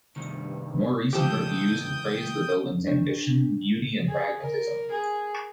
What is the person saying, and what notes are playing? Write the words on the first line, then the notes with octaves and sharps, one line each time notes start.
More recent reviews have praised the building's ambition, beauty, and pragmatism.
C2 G2 D#3
C#2 E3 F3 G4 A4 G5 D#6 G6
D4
G#4
A#4
G#4